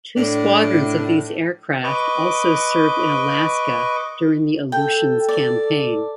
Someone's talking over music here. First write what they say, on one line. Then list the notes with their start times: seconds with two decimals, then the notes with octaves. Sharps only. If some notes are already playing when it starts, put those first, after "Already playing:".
Two squadrons of these aircraft also served in Alaska during the Aleutians campaign.
0.17 A2 D4
1.84 B4 D#5 C#6 D6
4.72 A4 G5
5.29 D5